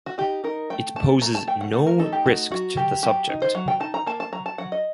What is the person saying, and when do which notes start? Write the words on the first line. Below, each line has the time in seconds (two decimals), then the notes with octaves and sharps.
It poses no risk to the subject.
0.06 F#4
0.18 D#4 G4
0.44 D#4 A#4
0.70 A3 G5
0.96 A3 A5
1.22 A3 A#5
1.35 A5
1.48 A3 G5
1.61 F#5
1.73 A3 F#5
1.87 A#4
1.99 D#4 A4
2.13 G4
2.26 A3 F#4
2.51 F#3 F#4
2.77 F#3 G4
3.03 F#3 G4
3.29 D#4
3.42 C5
3.55 F#3 F#5
3.68 G5
3.80 D#4 A5
3.94 A#5
4.06 A#3 A5
4.20 A5
4.32 F#3 A#5
4.46 A5
4.58 F#3 F#5
4.72 D#5